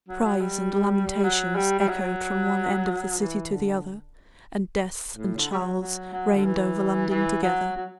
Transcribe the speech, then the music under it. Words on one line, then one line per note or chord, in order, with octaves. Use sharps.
Cries and lamentations echoed from one end of the city to the other, and Death and Charles reigned over London together.
F#3
F#3
G3
F#3
G3
G3
F#3
E3
D3
A2
D3
G3
F#3
F#3
F#3
D3
E3
E3
F#3
F#3